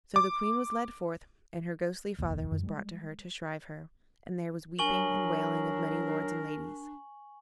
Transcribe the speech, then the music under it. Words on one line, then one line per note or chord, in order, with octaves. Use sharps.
So the queen was led forth, and her ghostly father was brought to her to shrive her, and there was weeping and wailing of many lords and ladies.
D6
F1 A#1 D#2
F#2 D#3
G3 G#3
F#3 D4 A#4 G#5 C#6 F#7